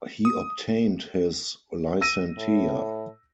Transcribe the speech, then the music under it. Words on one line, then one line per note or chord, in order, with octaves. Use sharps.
He obtained his "licentia".
D#6
E6 A#6 D#7
A2